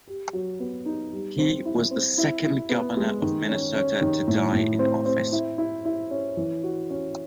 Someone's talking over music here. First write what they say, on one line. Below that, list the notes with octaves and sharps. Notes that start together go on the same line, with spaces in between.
He was the second governor of Minnesota to die in office.
G4
F#3
B3
D#4
G3
C4
E4
C4
E4
E4
B3
G#3
D#3
C#4
C#4
D#3
A2
A2
C4
C4
E4
E4
E4
C#4
E3
F#4
C#4